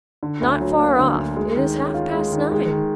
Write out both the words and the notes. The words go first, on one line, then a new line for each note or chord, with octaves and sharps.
'Not far off--it is half-past nine.
D3
D2
F#3
A#3
D3
D2
G#3
D#3
C#4
F4
G#3
D#3
G#3
D#3